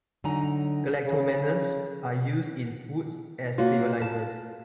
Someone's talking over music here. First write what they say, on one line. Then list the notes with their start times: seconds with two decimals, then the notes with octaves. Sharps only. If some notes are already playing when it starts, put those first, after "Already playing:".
Galactomannans are used in foods as stabilisers.
0.24 D3 F#3 D#4 G#5 A#5
1.06 C#3
3.58 A#3 F4 F#4 C#5
4.01 A5